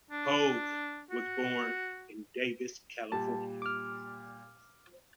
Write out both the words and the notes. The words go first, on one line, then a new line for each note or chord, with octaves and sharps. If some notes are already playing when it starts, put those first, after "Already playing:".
Hoag was born in Davis, California.
D4
F#4
A#2 G3 A5
D6 F6